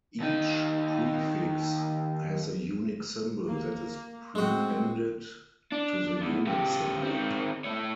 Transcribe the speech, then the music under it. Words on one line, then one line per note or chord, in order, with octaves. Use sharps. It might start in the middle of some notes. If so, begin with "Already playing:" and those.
Each prefix has a unique symbol that is prepended to the unit symbol.
D#2 D#4
A#3
A2 G#3 C4 F#4
D4
E2
C#3 G4
D#3 C4
A3 C#5